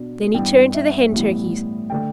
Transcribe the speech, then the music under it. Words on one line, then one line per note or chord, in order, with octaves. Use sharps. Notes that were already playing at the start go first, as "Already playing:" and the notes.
Then he turned to the Hen Turkeys.
Already playing: B2 B3 D4
G2 E3 B3 D4 G5
E5
A2 E3 G3 B3
D3 A3 G5